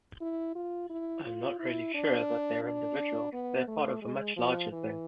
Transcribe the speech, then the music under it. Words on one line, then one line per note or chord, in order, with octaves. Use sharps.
I'm not really sure that they're individuals: they're part of a much larger thing.
E4
F4
E4
F4
E4
D4
D4
B3
A3
G#3
F3
E3